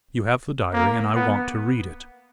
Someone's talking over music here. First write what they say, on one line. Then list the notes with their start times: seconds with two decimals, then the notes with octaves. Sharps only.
You have the diary and I want to read it.
0.73 A#3
1.15 B3